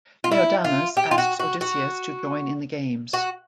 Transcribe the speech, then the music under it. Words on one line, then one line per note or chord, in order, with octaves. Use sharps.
Laodamas asks Odysseus to join in the games.
F4
E4
F4
G4
F4
F#4
F#4
F#4
F#4